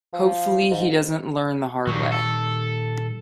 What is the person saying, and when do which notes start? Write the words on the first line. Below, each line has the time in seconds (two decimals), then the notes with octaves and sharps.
Hopefully he doesn't learn the hard way.
0.13 F3
0.71 G#2
1.87 G2 A#2 D#3 F#3 G3
2.12 A4